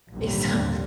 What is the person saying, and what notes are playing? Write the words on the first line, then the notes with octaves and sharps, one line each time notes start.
Eh, some
A#1 D#2 G#2 D3 G3 C4